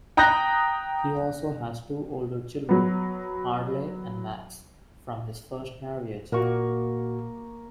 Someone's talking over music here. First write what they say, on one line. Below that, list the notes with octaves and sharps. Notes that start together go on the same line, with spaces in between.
He also has two older children, Harley and Max, from his first marriage.
G5 A#5 D#6 F#6 G6 A#6
F#3 B3
A#2 A#3 F#4 C#6